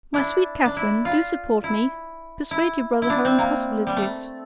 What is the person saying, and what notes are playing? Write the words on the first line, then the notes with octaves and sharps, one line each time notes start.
My sweet Catherine, do support me; persuade your brother how impossible it is.
D4 E4
D4
E4
F4
E4
E4
E4
D4
C4
A#3
G3
A3